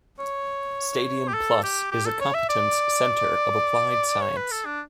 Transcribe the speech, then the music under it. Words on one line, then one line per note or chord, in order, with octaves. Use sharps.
Studium Plus is a Competence Center of Applied Science.
C#5
G4
A4
G4
G4
A4
C#5
E5
D5
C#5
B4
A4
D4